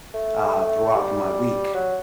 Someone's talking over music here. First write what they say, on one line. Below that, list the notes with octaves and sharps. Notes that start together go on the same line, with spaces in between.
uh, throughout my week.
A3
G3
F#3